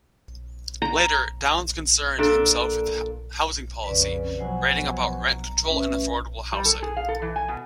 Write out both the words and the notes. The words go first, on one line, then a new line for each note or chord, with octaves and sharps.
Later, Downs concerned himself with housing policy, writing about rent control and affordable housing.
A#5
A#2 D4 A4
F2 C#3 B4 D5
B2 F3 F#3 C5 F#5 G#5
A#5
A2 C#3 C#4 B4 E5
G3
A4
G#4
F5
A4
E3
G#5
B2